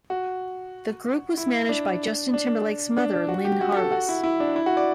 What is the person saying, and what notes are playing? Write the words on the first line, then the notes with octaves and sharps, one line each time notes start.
The group was managed by Justin Timberlake's mother, Lynn Harless.
F#4
E4
D4
D4
D4
D4
F#4
G4
F#4
A4
F#4
E4
E4
D4
E4
F#4
D5